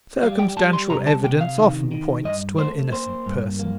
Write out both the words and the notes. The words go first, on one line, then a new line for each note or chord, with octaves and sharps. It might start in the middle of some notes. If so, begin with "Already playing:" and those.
Circumstantial evidence often points to an innocent person.
G3 F5
G5
G3 A5
C6
C2 A#5
A5
C3 G5
F5
D#3
D#3
G2 D#5
A3 C5
A#3 C5
G2
A#3